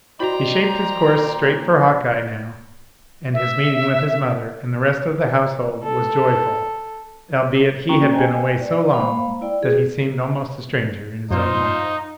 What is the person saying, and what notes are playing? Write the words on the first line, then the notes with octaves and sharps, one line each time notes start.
He shaped his course straight for Hawkeye, now, and his meeting with his mother and the rest of the household was joyful--albeit he had been away so long that he seemed almost a stranger in his own home.
E4 F#4 C5 D5 D#5 G5 A#5 B5
A#2
E5
A4
A#3 C#4 F#4 G5 A#5
C5 D#5 G5 G#5
D5
G#3 A#3 C5 F5 B5
E4 D5 G5
G#4
F#2 D#4 F4 C5